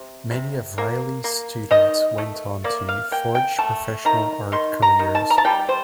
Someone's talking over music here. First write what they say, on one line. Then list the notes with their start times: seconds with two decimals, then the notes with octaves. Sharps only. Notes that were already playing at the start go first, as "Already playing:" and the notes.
Many of Reilly's students went on to forge professional art careers.
Already playing: C3
0.31 C3
0.78 A#3
1.24 A#3
1.71 D#3 D#5
2.18 A3
2.64 A#3 D5
2.89 F5
3.11 A#3 G5
3.35 G5
3.59 A3 A5
4.05 D#3 A#5
4.52 D#3 C6
4.82 A#5
4.99 D#3
5.15 A5
5.30 A#5
5.38 A5
5.45 G3 G5
5.69 C5